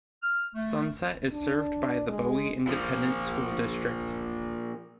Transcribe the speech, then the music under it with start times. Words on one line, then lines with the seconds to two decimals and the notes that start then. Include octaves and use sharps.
Sunset is served by the Bowie Independent School District.
0.23 F6
0.55 A3
1.31 D4
2.08 G#3
2.67 A#2 F3